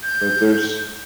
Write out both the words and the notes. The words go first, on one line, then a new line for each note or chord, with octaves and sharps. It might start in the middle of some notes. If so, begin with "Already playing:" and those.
But there's
G6